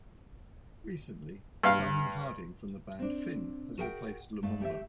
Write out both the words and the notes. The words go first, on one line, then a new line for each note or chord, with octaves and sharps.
Recently, Simon Harding from the band Fin has replaced Lumumba.
G2 F5
C4 D4
F#4 G#4 A#4 E5 F#5 G5
G2 A3 F5
A3 G4 D5 E5